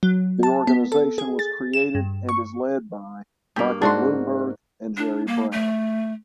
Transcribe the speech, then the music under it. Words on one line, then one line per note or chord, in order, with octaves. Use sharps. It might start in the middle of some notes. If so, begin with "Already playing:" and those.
The organization was created and is led by Michael Bloomberg and Jerry Brown.
F#3
A5
B3
A4
G#4
A6
E7
G2
C#6
G2 A#3 G4
G#2 D4 F#4 C6
D4
A#3
A3